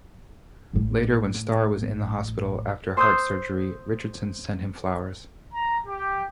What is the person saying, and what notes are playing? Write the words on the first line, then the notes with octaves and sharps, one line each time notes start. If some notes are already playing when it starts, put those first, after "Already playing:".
Later when Starr was in the hospital after heart surgery, Richardson sent him flowers.
A1 A2
C5 C6 D#6 E6 G6
A#5
G4